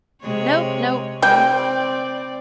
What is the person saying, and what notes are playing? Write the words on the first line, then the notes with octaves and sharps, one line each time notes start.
Nope, nope. I'm
C3 G#3 C#5
G3 C4 D5 G5